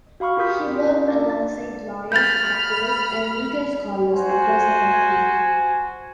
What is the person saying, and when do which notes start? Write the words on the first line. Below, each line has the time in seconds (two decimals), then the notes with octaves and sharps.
He worked alongside lawyers, activists, and legal scholars across the country.
0.20 F#4 F5 B5 C#6 F6
0.37 F4 G4 A#4 D#6 G6 B6
0.72 C#4 F4
1.04 D4 D5
1.30 A6
2.12 B5 F6 G6 A6
4.14 F#4 C5 G#5